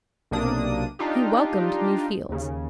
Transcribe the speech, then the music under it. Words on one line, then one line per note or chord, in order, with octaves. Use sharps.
He welcomed new fields.
B1 C3 A#3 D4 D#6
D4 D#4 F4 G4
D#2 C#3